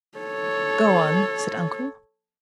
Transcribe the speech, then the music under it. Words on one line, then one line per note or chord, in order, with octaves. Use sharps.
"Go on," said uncle.
A4 C#5